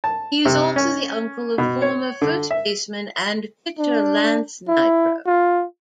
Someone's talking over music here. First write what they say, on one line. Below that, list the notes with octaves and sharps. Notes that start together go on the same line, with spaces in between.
He is also the uncle of former first baseman and pitcher Lance Niekro.
A5
C3
C#4
B2
C#5
D3
E5
D4
E4
F4